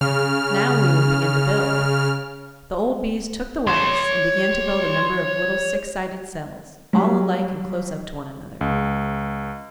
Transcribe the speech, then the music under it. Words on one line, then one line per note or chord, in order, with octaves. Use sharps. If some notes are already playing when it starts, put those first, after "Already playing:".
"Now we will begin to build." The old Bees took the wax, and began to build a number of little six-sided cells, all alike and close up to one another.
C#3 F6
C#5 C6
F#3 G3
C#2